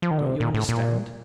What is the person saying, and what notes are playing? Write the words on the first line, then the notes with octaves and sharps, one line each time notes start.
Don't you understand?
F3
D#3
D3
C3
A#2
A2
A#2